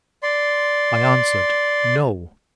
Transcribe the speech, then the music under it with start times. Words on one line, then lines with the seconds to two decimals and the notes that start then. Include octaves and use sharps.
I answered, No.
0.23 D5 C6